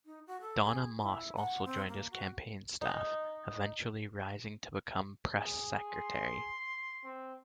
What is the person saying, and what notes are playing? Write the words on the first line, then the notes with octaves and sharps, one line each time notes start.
Donna Moss also joined his campaign staff, eventually rising to become press secretary.
D#4
F#4
A4
G#4
E4
F#5
C4
A#3
F#4
D#4
G#4
C6
C4